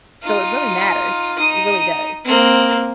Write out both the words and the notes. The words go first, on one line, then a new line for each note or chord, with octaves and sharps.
So, it really matters. It really does.
D#4 F4
D#4 D#6
A#3 C4